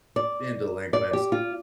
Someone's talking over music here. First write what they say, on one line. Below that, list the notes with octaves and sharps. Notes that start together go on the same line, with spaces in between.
being delinquents.
D5
D5
G4
F4